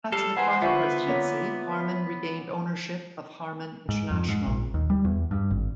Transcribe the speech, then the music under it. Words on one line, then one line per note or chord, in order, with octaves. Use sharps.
After the Carter presidency, Harman regained ownership of Harman International.
G3 A4 F5
E3 G#4 B4 C5 F#5 G#5 A#5
D3 B3 F4 B4 C5 E5 C#6
D3 A#3 C#5
G#2
F2
G#2
A#1
D#2
G3
E2
G2
G#1